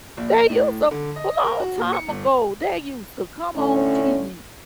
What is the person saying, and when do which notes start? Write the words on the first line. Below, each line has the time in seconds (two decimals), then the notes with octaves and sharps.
They use to a long time ago, they used to come on TV,
0.17 A#1
0.50 A2
0.91 D3
1.16 D#5
1.44 A#4
1.60 F#4
1.77 A#2
1.93 C#7
2.08 G1
3.55 A2 D3 C#4